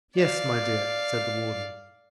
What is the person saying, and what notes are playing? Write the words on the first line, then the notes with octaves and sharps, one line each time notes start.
"Yes, my dear," said the warden.
D5 F5